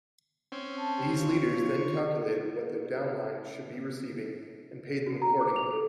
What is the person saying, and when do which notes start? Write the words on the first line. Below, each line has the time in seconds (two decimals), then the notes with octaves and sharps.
These leaders then calculated what their downlines should be receiving and paid them accordingly.
0.52 C4 C#4
0.77 A5
0.98 G4
1.17 F4 C#5
5.06 F#4
5.22 A#5
5.41 D6
5.56 F7
5.73 A4